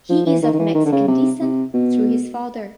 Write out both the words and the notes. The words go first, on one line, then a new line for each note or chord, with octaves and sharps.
He is of Mexican descent through his father.
F3
E3
D#3
D#3
E3
D#3
D3
C#3
C3
C3
B2